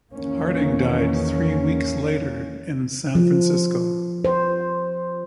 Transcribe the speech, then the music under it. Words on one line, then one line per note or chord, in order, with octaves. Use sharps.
Harding died three weeks later in San Francisco.
E2 D#3 A#3 C#4
F3
C5